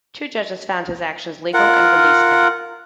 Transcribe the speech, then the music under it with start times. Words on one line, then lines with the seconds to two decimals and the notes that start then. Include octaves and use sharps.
Two judges found his actions legal and released him.
1.54 F4 A#4 F#5